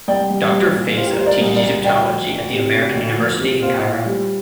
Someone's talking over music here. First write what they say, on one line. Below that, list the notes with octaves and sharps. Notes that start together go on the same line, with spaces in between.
Doctor Fayza teaches Egyptology at the American University in Cairo.
C2 D5 G5
G3
C2
A#2
G3 C5 F5
G4
A#4
G3 C5
A#4 D5
C2
A#4 D5
C2
D2 D5 G5
F3
D2
C3
D2
D2
F3
C3
A#2 C5 F5
A#2
G3